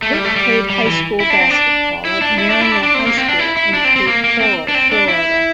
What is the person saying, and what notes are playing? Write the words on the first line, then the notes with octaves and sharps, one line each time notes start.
Burke played high school basketball at Mariner High School, in Cape Coral, Florida.
A3
G3
A3
G3
G3
E3
E4
D4
C4
D4
E4
D4
E4
D4
E4
D4
D4
C4
A#3
C4
D4
E4
E4
D4
C4
C4
A#3
A#3
C4
D4
C4
D4
E4